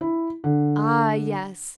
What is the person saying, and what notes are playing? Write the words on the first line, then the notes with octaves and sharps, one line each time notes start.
Ah, yes.
E4
D3